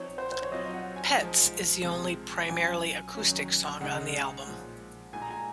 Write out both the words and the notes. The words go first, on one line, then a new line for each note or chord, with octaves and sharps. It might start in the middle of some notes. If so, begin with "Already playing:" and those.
"Pets" is the only primarily acoustic song on the album.
Already playing: F3 C4 D#4 C#5
C5
C5
C#5
F#3 C4 F4 D#5
F#5
G#5
F3 G#3 D#4
C3 F3 G#3 C4
F#3 C#4 F4 G#5
D#3 F#3 C#4
C#3 G#3 D#4 F#5
A#2 F3 G#3
A#2 G#3 D#4 G#5
A#5
G#5